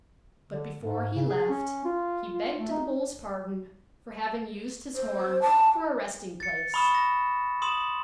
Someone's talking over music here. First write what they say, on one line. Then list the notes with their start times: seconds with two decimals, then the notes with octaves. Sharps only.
But before he left he begged the Bull's pardon for having used his horn for a resting place.
0.50 D3
0.82 G#2
1.15 C#3
1.29 G#4
1.49 C#4
1.85 F4
2.31 F4
2.59 A3
2.71 D#4
4.96 C5
5.42 A5
6.40 A6 C#7
6.74 B5 C#6 D#6 F6 E7
6.95 A#6
7.62 C6 D#6 E7 F#7